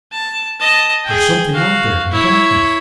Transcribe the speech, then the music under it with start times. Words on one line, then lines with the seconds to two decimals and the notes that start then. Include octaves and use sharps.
"There is something out there in the darkness."
0.11 A5
0.59 D#5 A5
1.04 G#4 G5
1.53 F#4 F5
2.10 E4 C#5